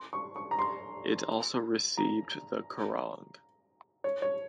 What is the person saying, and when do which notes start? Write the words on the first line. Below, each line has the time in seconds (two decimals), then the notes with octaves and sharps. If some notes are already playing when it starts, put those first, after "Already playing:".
It also received the Kerrang!
Already playing: C6
0.13 C#6
0.36 C#6
0.51 A#5
0.59 C6
1.97 A#5
4.04 C#5
4.22 C#5